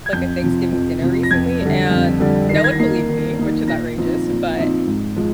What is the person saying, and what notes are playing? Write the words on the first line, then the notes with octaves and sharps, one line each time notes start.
like, a Thanksgiving dinner recently, and no one believed me, which is outrageous, but
G#6
F2 G6
C3 F3
F2
C3 F3
A#6
F2 G#6
D3 G3
F2
D3 G3
D#3 C7
A#6
G#6
A#6
A#3 D#4 C7
D#3
A#3 D#4
A#2 A#6
F3 C4 D#4
A#2
F3 C4 D#4
G#2
F3 G#3